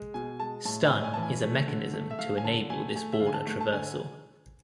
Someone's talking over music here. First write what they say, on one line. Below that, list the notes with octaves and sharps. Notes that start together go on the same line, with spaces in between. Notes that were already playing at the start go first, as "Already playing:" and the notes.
Stun is a mechanism to enable this border traversal.
Already playing: G#3
B2 G#5
G#3 A5
A2 A5
G#5
A2
G#5
E3 A5
G#5
A3
D3
A3
E5
A3 F5
G#5
D3 A5
A3 G#5
A3 G#5
E5
D3 F5
G#5
A5
A3
A5
D3 G#5